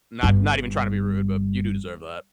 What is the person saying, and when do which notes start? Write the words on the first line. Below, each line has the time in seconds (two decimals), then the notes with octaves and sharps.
Not not even trying to be rude, but you do deserve that."
0.23 G1 G2